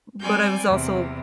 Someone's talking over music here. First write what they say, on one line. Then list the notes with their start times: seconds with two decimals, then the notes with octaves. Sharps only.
but I was also,
0.20 G3 C4 D5 G#5 G6
0.67 E2 C3